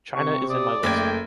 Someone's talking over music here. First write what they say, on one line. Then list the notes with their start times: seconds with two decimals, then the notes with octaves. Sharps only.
China is in my list.
0.14 C3 C#6
0.50 D5 D#6
0.83 F#1 A3 G5 G#6